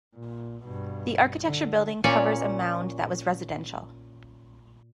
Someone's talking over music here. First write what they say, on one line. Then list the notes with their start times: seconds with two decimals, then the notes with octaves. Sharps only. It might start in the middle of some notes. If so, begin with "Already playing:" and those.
The Architecture Building covers a mound that was residential.
0.15 A#2
0.64 G2 B2
1.43 D3
2.04 A#2 C#4 C#5 D5